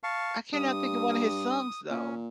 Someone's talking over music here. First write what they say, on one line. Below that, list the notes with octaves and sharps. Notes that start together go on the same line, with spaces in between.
I cannot think of one of his songs though.
F5 A5 C#6
G2 D#6
A#2 C#4